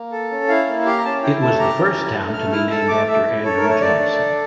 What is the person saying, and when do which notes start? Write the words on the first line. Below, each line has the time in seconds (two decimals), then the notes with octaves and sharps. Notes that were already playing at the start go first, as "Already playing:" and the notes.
It was the first town to be named after Andrew Jackson.
Already playing: A#3
0.12 A4
0.31 C#4
0.48 E4 F5
0.67 A#3
0.86 G4 F5
0.98 A#5
1.05 C#4 A5
1.23 E4 G5
1.41 A3 A5
1.59 G4 A#5
1.78 C#4
1.96 E4
2.15 A3
2.33 A3 F6
2.52 E4 F6
2.70 A4 E6
2.88 A3 D6
3.08 A3 E5
3.26 E4
3.44 A4 C#5
3.57 A#4
3.63 A3
3.70 C#5
3.81 A3 D5
3.99 D4
4.17 A4